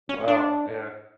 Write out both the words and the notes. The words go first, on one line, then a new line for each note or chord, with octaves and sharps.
Well, yeah,
C#4
D4